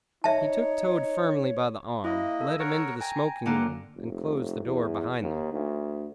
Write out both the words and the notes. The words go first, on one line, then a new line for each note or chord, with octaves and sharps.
He took Toad firmly by the arm, led him into the smoking-room, and closed the door behind them.
D#4 C#5 E5 A5
A#3 E4 D#5
A4
A#4 C#5 F#5
G5 G#5 A#5
D3 A#3 F4 F#5
F1
E2
D#2
D2